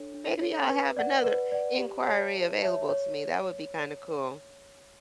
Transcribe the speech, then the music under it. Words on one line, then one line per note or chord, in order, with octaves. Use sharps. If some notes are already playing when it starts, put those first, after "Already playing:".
maybe I'll have another inquiry available to me, that would be kinda cool.
Already playing: D4 A4 C#5
D4
A4 C#5
B4
D5 F#5
B4
D5 F#5
G4
C#5 E5 A5
G4
C#5 E5 A5
C#5